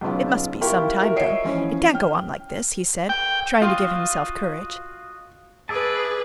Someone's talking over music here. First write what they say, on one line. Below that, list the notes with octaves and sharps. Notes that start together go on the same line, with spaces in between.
"It must be some time, though: it can't go on like this," he said, trying to give himself courage.
B1 C#3 B3 F4
E4 F4 G4 A#4 G5 C#6
F#4 A#4 E5
C#5 D#5 E5 C7 D7
E3 F3 C#4
G5 F6
G5
F4 F#4 D#5 F5
G#4 B4 D5 E5 A5